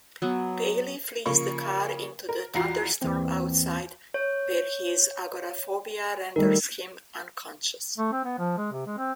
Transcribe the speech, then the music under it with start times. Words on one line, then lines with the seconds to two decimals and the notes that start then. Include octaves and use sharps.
Baley flees the car into the thunderstorm outside, where his agoraphobia renders him unconscious.
0.22 F#3 B3 C#6
1.26 C#3 F3 A#3 C#6
2.29 A#4
2.54 E2 F4 F#4 A#5 C7
3.02 D#2 E3 A#3 C4
4.14 C#5
6.36 D#3 G3 A3 A#4
7.98 A3
8.12 C4
8.25 B3
8.39 F3
8.58 G#3
8.71 C3
8.86 G#3
8.98 C4